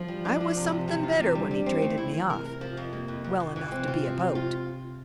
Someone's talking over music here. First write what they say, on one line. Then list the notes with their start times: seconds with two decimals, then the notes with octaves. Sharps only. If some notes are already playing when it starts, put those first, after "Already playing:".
I was something better when he traded me off; well enough to be about.
Already playing: F3
0.08 G3
0.25 D4
0.40 D4
0.56 C3
0.72 C3
0.88 C3 E3
1.03 F4
1.20 C3
1.35 D3 G3
1.51 G3
1.66 C4
1.82 E3 A3
1.98 E4
2.14 E4
2.30 C3 A#4
2.45 A#4
2.61 F3
2.77 F2
2.93 A#3
3.08 F2
3.24 F2
3.40 F2
3.56 E3
3.72 C3 C4
3.88 F4
4.04 F3
4.19 C4
4.35 F4